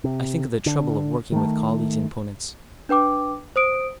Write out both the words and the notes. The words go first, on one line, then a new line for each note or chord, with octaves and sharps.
I think of the trouble of working with colleagues and opponents.
C3
D3
D#3 A3
D4 B4 G5 D6
C5 D#6 D7